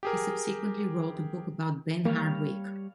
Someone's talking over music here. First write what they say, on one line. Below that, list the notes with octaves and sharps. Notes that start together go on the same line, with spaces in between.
He subsequently wrote a book about Ben Hardwick.
G4 G#4 A#4
G3 A#3 C#5 F5